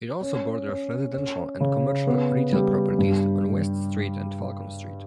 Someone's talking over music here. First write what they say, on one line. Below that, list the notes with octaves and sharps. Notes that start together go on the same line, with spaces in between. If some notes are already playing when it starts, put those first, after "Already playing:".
It also borders residential and commercial retail properties on West Street and Falcon Street.
C#4
C#4
C#4
C#3
B3
G3
G2